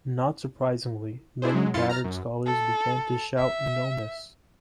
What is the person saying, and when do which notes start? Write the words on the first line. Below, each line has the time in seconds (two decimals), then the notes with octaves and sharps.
Not surprisingly many battered scholars began to shout 'no mas!
1.42 D4 E4 G#4 C5
1.54 F#3 G#3
1.74 F#2 E4 F4 C6 A6 C#7
1.89 A#5 F6 A6
2.04 F#2
2.46 A4
3.37 E5